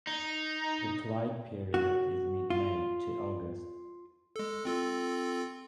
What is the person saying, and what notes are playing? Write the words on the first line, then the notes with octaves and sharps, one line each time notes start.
The flight period is mid May to August.
D#4
F#4
F4
G#3 A4
C4 F4 A4